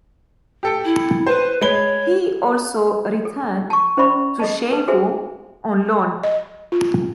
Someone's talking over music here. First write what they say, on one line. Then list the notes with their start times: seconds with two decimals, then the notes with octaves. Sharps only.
He also returned to Chievo on loan.
0.63 G4 A4 G5
0.84 E4
1.27 B4 C5
1.61 G#3 C#5 B5 G7
3.25 A4
3.70 A5 C#6
3.97 C#4 C5 D5 E5 B5 C#6
4.40 A4 D#5 A5
4.71 A4 B4 A5
4.88 F#4 G#4 A4 C5 E5 G#5
6.23 D#5
6.72 F4